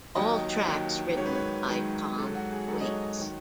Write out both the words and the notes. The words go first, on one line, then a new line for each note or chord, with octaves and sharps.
All tracks written by Tom Waits.
D#2 D#3 F#3 D#5
D#2 D#3 F#3
G#2 D#3 F#3 C#5
B4
C#5
G#2 D#3 F#3
G#2 F#3 A4
F#4
G#4
G#2 F#3 A4
D#5
C#5
D#3 F#3